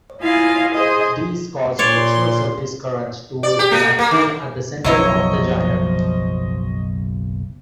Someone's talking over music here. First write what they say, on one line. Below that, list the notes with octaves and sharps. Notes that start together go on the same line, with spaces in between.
These cause frictional surface currents towards the latitude at the center of the gyre.
E4 F4 D#5 F5 G#5
G#4 C5 D#5
A#2 C#5 D5 C6
D5
G4
A3
A#3
D#3
F#1 B1 F3 F#3 E4 C#5 D#5 C#6